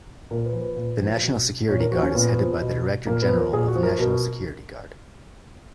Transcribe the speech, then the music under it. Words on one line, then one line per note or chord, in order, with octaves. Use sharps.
The National Security Guard is headed by the Director General of National Security Guard.
A#2 A#4
B4
F3
B4
A#2
F3
B2
A#2 C#5
A#4
F3 F#4
C#4
A#2 B3
F3
B2
A#2 A#3
B3
F3
A#4
A#2 G#4
F#4
F3
A#4
B2 A#4